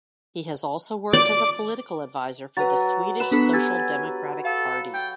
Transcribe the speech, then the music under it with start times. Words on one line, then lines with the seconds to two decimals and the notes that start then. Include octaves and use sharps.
He has also worked as a political advisor for the Swedish Social Democratic Party.
1.13 D5 D6
2.57 F#3 B4 A#5 A6
3.20 B4 E7
3.32 B3 D4 A4 B5
3.53 G4 G#5 E6 A6
4.45 A4 F5
4.94 G5